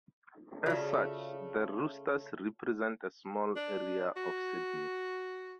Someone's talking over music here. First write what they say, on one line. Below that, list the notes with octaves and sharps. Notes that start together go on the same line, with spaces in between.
As such, the Roosters represent a small area of Sydney.
C#3 A3 F4 F#4 D5
D4
F#4